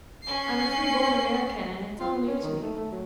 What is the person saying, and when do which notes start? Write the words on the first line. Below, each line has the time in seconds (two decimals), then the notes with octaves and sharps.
I'm a free-born American, and it's all new to me.
0.23 C#4 C7
2.00 F4
2.14 B3
2.27 C#4
2.43 D#3
2.62 A3
2.76 A3
2.91 F#3